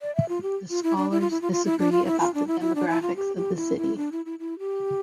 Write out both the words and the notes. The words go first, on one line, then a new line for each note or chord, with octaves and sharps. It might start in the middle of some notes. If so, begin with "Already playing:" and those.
The scholars disagree about the demographics of the city.
D5
E5
F4
G4
F4
E4
D4
E4
F4
E4
F4
F4
E4
D4
F4
E4
F4
D4
E4
E4
D4
E4
F4
G4
G4
E4
E4
D4
E4
E4
E4
G4